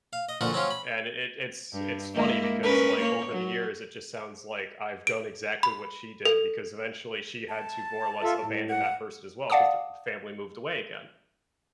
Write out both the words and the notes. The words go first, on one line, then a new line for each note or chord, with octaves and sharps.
And i i it's it's funny because, like, over the years, it just sounds like I've done exactly what she did because eventually she had to, more or less, abandon that person as well, 'cause the f family moved away again.
F5
D#5
A#2 D3 F3 F#4
F#3 C4 C#4 F4
B5
G2
G#3 A#3 E4
C#4 A#4 B4
A#3 C#5
F#3
D7
B5
A4
A5
F4 A4 E5
A2
F#5
D5 F5 F#5 A5 D6 D#6